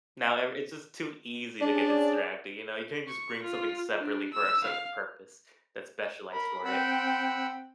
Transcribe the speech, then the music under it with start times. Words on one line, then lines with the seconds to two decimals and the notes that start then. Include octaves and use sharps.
Now every it's just too easy to get distracting, you know? You can't just bring something separately for a separate purpose that's specialized for it.
1.61 C#4 D4 G#4 D5
3.07 C#6
3.42 F4
3.99 D4
4.33 E6
4.64 F5
6.31 A#4 B5
6.65 C4 F#5 G5 B5 E6